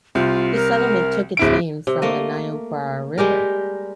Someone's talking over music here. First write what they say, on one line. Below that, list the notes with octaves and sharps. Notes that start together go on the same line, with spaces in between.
The settlement took its name from the Niobrara River.
C2 F4
A#4
D1 E4 D7
C3
A3 A#3 D#5
G3 G#3 G4 A#4